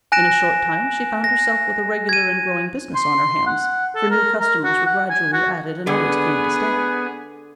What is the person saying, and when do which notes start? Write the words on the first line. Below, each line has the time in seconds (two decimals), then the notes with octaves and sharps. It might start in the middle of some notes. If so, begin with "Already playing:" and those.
In a short time she found herself with a regular and growing business on her hands, for new customers were gradually added and always came to stay.
0.12 G#5 F#6 A#6 D7 E7
1.24 A#6
2.09 G#6 D#7
2.95 C6
3.46 F#5
3.95 A4
4.11 A#4
4.40 A#4
4.64 F#4
4.86 F#5
5.10 G#5
5.33 F#4
5.87 D3 B3 G#4 B4 G#5